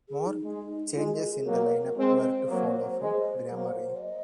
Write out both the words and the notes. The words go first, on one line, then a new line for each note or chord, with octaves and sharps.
More changes in the lineup were to follow for Gamma Ray.
G#4
D#4
G#3
G#3 F4
F#4
A#4
G#4
G#4
F#3 A#3 A#4
G#3 C4 C5
F#3 A#3
G#3
F#3 A#3
D#5